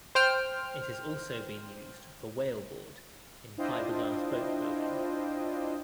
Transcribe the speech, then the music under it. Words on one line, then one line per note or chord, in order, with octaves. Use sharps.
It has also been used for whaleboard in fiberglass boat building.
C5 G5 F6
D4 E4 F4 C5 D#5 G5